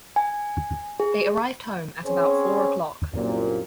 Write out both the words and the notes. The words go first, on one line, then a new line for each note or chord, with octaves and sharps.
They arrived home at about four o’clock.
G#5
G#4
C4 C#4 G#4 C5 C#5
C2 F#2 A#2